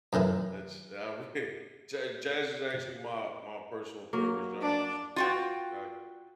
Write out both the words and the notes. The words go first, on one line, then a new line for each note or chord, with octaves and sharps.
that's outra Ja jazz is actually my my personal favorite genre, so definitely that
F#2 A2 D#3 E3
F#3 A#3
D4 D5
F4 F#4 G5